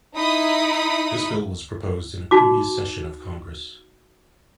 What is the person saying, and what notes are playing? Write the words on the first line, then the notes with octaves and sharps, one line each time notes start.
This bill was proposed in a previous session of Congress.
D#4 E4 B5 D#6
D#4 F#4 D6